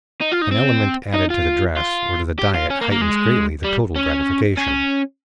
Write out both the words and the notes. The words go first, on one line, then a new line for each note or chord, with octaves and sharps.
An element added to the dress or to the diet heightens greatly the total gratification.
D#4
F4
D#4
C4
D#4
F4
F4
G4
F4
C#4
A#3
A#3
G#3
G3
C#4
C#4